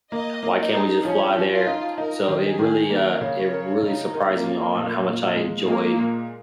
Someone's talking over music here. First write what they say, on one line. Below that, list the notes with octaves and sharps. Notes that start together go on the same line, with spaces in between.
Why can't we just fly there?" So it really, uh, it really surprised me on how much I enjoyed
A#3 D#5
A#3
D#4
G#4
F3 C#4
F3
F4
D#4
D#4 A#4
D#3
G#4
D#3
A#3 A#4
C#3
C#5
A#4
C#3 D#4
A#4
A#3
F4
A#2
A#2
G#3
G#3 A#3
A#2